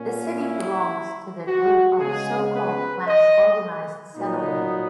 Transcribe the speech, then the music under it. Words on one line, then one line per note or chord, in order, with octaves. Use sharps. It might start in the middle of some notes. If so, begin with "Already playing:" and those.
The city belongs to the group of so-called planned organized settlements.
Already playing: A#2 A#3 C#4
E4
F#4
C#3 G#3 B3 G#4
B4
D#5
A#2 F#3 B3 D#4